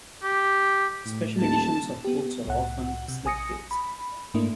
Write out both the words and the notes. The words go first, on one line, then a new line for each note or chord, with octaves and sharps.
Special editions of books are often slipcased.
G4
A2
D#1 A5
B3 G4
C2 A2 F#5
C3
A#1 G#5 D#6 A#6 C#7
B5
G#2 A3 A#3 D4 E4